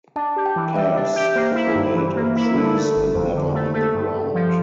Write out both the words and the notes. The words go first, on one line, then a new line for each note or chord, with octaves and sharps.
Pairs copulate on trees and never on the ground.
D4 A5
G4
G5
E3
G3 E5
D4
G4
A#3 C5
E4
G2
E3
A#3
E4
A#4
D3 A4
A3
A4
G1
F2 C5
D3
A3
A3 A4
G2
G2
F3